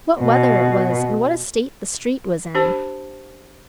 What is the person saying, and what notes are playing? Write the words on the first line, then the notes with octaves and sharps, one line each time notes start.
What weather it was, and what a state the street was in!'
B2
D4 G4 C5 A5